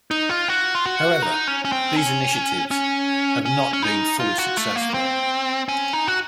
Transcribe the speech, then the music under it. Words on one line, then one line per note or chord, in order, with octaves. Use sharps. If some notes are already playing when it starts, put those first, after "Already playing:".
However, these initiatives have not been fully successful.
D#4
F4
F#4
F4
F#4
D#4
C#4
C#4
C4
C#4
C#4
C#4
C#4
D#4
F4
F#4
A3
A#3
C4
C#4
D#4
F#4